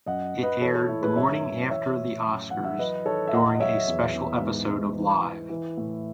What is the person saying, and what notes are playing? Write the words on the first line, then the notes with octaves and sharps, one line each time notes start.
It aired the morning after the Oscars, during a special episode of Live!
F#2 D#5 F#5
F#2
B4 D#5
E3 A4 C#5
A4 C#5
A2 E4
G#4 B4
F#2 C#5 E5
F#2
E3 C#5 E5
A2
F#2
E3 F#5
E5
F#3 B4 D#5
D#3 A4 C#5
E5
E2 D#5 F#5
D#5
F#3 C#5 E5
E2
E2
G#2
G#2
E3
E3
E3
A2